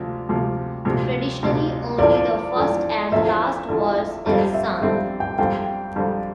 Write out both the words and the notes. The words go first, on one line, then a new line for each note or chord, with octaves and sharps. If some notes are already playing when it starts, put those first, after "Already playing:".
Traditionally only the first and last verse is sung.
Already playing: D2 C3 F3
D2 C3 F3
D2 C3 F3
D2 C3 F3
E2 D3 F3 D5
E2 D3 F3
E2 D3 F3 E5
E2 D3 F3
F2 D3 G3 C4 F4
E5
F2 D3 G3 C4 F4 E5
G5
F2 D3 G3 C4 F4 G5
F2 D3 G3 C4 F4